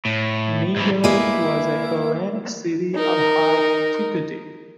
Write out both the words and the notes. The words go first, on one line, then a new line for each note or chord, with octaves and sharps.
Knidos was a Hellenic city of high antiquity.
A2
G#2 E3
G#3 A#3 E4 B4
D#4 A#4